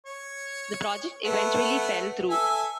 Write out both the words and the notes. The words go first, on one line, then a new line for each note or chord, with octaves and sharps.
The project eventually fell through.
C#5
A3 B3 B4 F#5
A4 E5 G#5